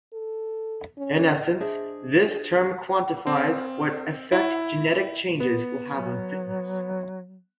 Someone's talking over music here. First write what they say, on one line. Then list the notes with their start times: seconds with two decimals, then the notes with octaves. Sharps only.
In essence, this term quantifies what effect genetic changes will have on fitness.
0.13 A4
0.98 C#4
1.60 D4 G#4 C5 D#5 E5
3.27 C4
4.32 E4
5.40 B3
5.90 F#3